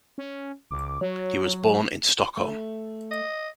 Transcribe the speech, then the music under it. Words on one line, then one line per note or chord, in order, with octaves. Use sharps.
He was born in Stockholm.
C#4
C#2 D6
F#3 C#5
A3
D#5